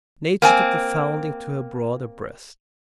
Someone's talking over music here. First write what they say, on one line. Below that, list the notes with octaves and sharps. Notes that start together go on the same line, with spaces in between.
Nature took the foundling to her broader breast.
A#3 C4 G#5